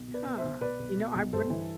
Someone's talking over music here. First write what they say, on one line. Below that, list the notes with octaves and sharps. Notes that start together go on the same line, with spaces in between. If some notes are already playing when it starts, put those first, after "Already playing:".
Huh, you know, I wouldn't
Already playing: B1
B2
B4 D5
B2
C5 E5
B1
B2 B4 D5
B1
B2
B1
G2 A4 C5
E3